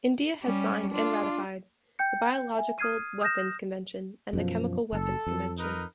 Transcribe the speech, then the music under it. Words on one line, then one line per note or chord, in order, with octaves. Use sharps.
India has signed and ratified the Biological Weapons Convention and the Chemical Weapons Convention.
G3 C#4
D4 F4
G5 G6 C#7
E5 G#5
D#6 F6 G#6 C7 D#7
D#6 F6 G6 A#6 E7
F#2 B2 F3
F#1 A4
F2
D#4 A#4 B4